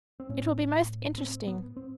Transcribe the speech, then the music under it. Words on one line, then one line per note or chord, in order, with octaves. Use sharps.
It will be most interesting.
C4
A2 C#4
C4
B3
C4